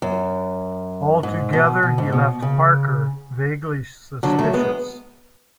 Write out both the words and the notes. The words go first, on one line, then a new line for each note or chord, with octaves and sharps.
Altogether he left Parker vaguely suspicious.
F#2
G#2
B2
B2
G#2
B2
C#3
D3 F#3
F#3 A3
G#3 B3